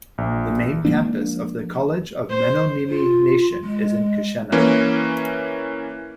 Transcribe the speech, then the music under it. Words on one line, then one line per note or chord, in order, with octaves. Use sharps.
The main campus of the College of Menominee Nation is in Keshena.
A#1
F3 G#3 A#3 D4
C5
F4
G#3
E3 A#3 C#4